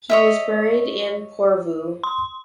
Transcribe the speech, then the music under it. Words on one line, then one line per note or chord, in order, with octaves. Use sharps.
He was buried in Porvoo.
C#5 D#5 E5
C6